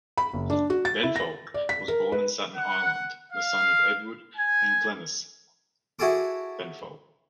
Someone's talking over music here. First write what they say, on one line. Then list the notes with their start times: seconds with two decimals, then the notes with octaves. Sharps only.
Benfold was born in Staten Island, the son of Edward and Glenys Benfold.
0.18 B5
0.33 F#1
0.50 D4
0.70 F#4
0.85 A6
1.03 E4
1.16 A#6
1.54 D5
1.69 B6
1.88 A#4
2.12 B4
2.56 F#5
3.32 F5
4.36 G#5
5.99 E4 F#4 G#4 A4 D6